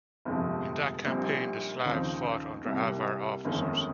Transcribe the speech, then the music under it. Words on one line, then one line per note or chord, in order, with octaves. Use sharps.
In that campaign the Slavs fought under Avar officers.
G1 F2 C3 F3 G#3
A#1 A#2 G3 C4 D#4
D#2 C#3 F3 C4 D#4
C2 C3 G3 A#3
G1 F2 D#3 G#3 C#4